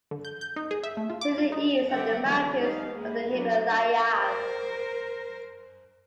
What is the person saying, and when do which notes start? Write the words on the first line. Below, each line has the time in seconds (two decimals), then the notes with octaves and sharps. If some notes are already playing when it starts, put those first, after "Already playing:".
To the east are the mountains of the Himalayas.
0.11 D3
0.25 G6
0.41 G6
0.56 D#4
0.71 G#4
0.83 E5
0.97 A3
1.10 F4
1.21 D6
1.38 F4
1.52 D#4
1.90 D3 G3 D5 E5 F#5 G5
2.24 D3 E3 F#3 G#3 B3 B4
2.58 G3 D#4 F5
2.94 G#3 A#3 B4
3.33 F#3 D4
4.15 A#4 C5